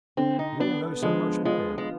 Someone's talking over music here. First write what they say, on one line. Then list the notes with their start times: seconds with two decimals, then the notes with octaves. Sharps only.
You all know so much more.
0.17 D3 C4
0.39 D#4
0.60 B3 D4
1.02 F3 G#3
1.45 G#3 F4
1.78 G#3